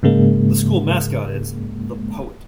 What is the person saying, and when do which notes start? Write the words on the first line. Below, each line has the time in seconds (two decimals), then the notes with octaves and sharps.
The school mascot is The Poet.
0.03 G#2 C#3 G#3 A#3